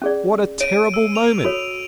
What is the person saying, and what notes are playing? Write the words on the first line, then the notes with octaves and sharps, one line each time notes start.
What a terrible moment!
C#4 G#4 D5
C#5 D7 D#7
E6
F7
F#4 A4 C#5